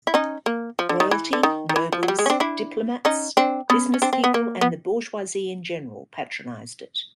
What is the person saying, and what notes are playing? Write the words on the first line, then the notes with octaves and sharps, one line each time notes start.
Royalty, nobles, diplomats, business people and the bourgeoisie in general patronized it.
E4
C#4 D#4
A#3
F3
D3
D#3
E3
D3
D#3
D#3
E3
F3
F#3
G3
G#3
C#4
C4 D4
D4 E4
C#4 D#4
C4 D4
B3 C#4
C#4
C4 D4
C4
B3
A#3
B3